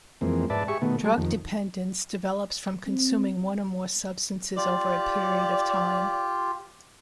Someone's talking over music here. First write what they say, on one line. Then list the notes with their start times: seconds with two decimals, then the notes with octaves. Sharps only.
Drug dependence develops from consuming one or more substances over a period of time.
0.21 F2 E3 G#3 A#3 C4
0.50 G#2 B4 D5 E5 A5
0.68 G4 G#4 E5 C#6
0.82 B2 D#3 A3 B3
1.04 G3 A3 A4
1.18 F2 D#3
2.87 C4
4.57 F4 G4 D5